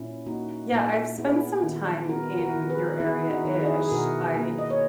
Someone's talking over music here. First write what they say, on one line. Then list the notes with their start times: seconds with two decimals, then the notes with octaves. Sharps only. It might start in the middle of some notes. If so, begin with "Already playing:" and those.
Yeah, I've spent some time in your area-ish. I
Already playing: A#2 C#4 E4
0.26 A#3 D#4 F#4
0.72 A#2
1.18 B3 E4 G#4
1.63 D#3
2.09 B3 F#4 A#4
2.39 F#4 A#4
2.55 D#3
2.70 G#4 B4
3.00 B3 E4 G#4
3.30 D#4 F#4
3.45 D#3
3.61 E4 G#4
3.80 G#4
3.91 B2 F#4 A#4
4.37 A#3
4.59 D#5
4.70 C#5